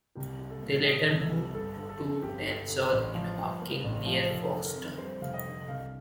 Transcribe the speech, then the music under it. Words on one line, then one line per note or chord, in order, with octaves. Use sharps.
They later moved to Densole in Hawkinge near Folkestone.
C2 G4
G3
A4
A#2
D4 D#5
C2
A4
G3
G1 A4
D3
A4
F2
G1 G4
G1
D3
A1
F3
G2
A#3
A1
F3
F1 A4
D3
A#4
F2
G3 C5
F1 F5
D#5
D3
C2 F5